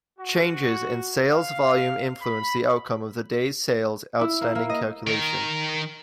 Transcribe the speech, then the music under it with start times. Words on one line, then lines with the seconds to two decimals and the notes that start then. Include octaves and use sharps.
Changes in sales volume influence the outcome of the days sales outstanding calculation.
0.19 F#4
1.29 F5
2.22 B5
4.21 E4
4.41 A#3
4.55 A#3
4.69 D#5
5.07 D#3 A#4